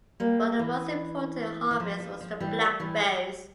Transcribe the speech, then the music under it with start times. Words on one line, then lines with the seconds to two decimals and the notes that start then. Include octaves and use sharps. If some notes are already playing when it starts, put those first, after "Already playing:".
But the most important harvest was the blackberries.
0.20 G3 A#3
0.59 E3
1.71 E3
1.80 F3
2.00 F3
2.21 F3
2.40 E3 G3
2.80 E3 G3